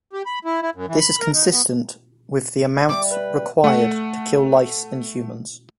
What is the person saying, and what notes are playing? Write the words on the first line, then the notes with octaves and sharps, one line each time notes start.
This is consistent with the amounts required to kill lice and humans.
G4
B5
E4
E4
F#2
E3
B5
A#4
D#4
B3
G3 E5 D6
B4
A3 F#5